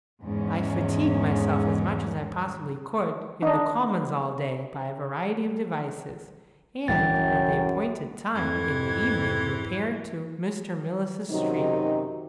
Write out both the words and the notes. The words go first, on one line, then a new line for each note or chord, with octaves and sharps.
I fatigued myself as much as I possibly could in the Commons all day, by a variety of devices, and at the appointed time in the evening repaired to Mr. Mills's street.
E2 G#2 C#4
D4 D#4
C2 F#2 A2 E3 G5 A6
F2 G#2 E3 G#6
F#2 C3 D#3 F#3 D#4